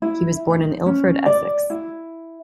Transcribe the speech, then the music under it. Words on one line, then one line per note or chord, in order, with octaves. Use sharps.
He was born in Ilford, Essex.
E4
D#4
C#4
D5
E4